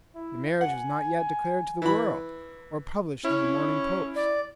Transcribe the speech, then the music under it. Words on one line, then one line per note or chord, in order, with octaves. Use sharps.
The marriage was not yet declared to the world, or published in the Morning Post.
E4
F#5 G#5
E3 B5
C#4 E4
D5